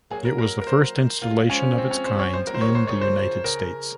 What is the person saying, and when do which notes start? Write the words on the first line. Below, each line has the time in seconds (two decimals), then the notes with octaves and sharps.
It was the first installation of its kind in the United States.
0.10 F#3 A#3 G#4
0.25 A#4
0.38 A#4
0.61 A#4
0.67 C5
1.22 A#3 F4
1.31 G#3
1.40 F#3
1.49 F3 G#3 C#4
1.78 C4
1.91 C#4
2.05 C5
2.19 C#5
2.33 F3 G#3 C5
2.47 F#3 A#3 A#4
2.54 C5
2.60 D#3 F#3 C#5
2.69 G#3
2.74 D#3 F#3 C5
2.87 C#3 F3 C#5
3.01 C5
3.44 C#3 A#4